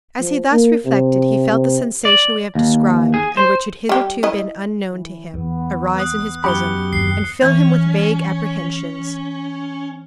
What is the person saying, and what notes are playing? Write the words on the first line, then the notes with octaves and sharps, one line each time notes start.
As he thus reflected, he felt the sensation we have described, and which had hitherto been unknown to him, arise in his bosom, and fill him with vague apprehensions.
F3
A#3
C3
C3
D5
D#2
G#4
C5
G3 G4
E4 D#5
E3
E2 B3
B3 D#6 F#6
F#2 G4 B5 D#6 C#7 G7
F#1 D#2 C7
E3 C#4